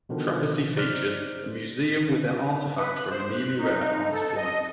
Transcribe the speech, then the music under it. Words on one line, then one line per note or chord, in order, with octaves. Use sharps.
Trepassey features a museum with artifacts from Amelia Earhart's flight.
B2 D3 D#3 F3
D#4 C5 D5 F6 F#6
B4
F#6
C5
F#6
D#4
A4
D#5